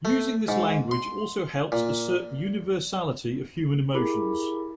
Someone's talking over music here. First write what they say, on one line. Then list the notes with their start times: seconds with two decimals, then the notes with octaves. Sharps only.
Using this language also helps assert the universality of human emotions.
0.05 A3
0.48 G#2
0.91 C6
1.72 A#2
3.94 E4 G4 G#4 A#4 B5 D6